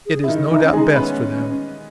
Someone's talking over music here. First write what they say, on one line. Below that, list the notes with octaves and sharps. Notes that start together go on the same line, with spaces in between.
It is no doubt best for them.
G#4
E4
D#3 D#4
E3 D#4 E4
C#4
G#3 D#4 G#4
B3 C#4 B4